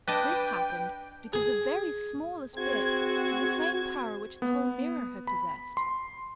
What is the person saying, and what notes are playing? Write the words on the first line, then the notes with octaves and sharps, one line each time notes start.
This happened because the very smallest bit had the same power which the whole mirror had possessed.
D4 B4 D#5 G5 A5 D6 D#7
G#4
C4 F#4 G#4 G#6
B3
B5
C6